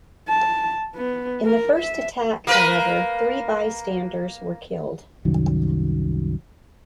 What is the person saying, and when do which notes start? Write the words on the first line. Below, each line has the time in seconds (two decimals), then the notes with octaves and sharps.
In the first attack, however, three bystanders were killed.
0.29 A5
0.96 B3
1.45 A#4
1.78 E5
2.47 A#3 A#4 B4
5.25 C2 F#2 D#3 F#3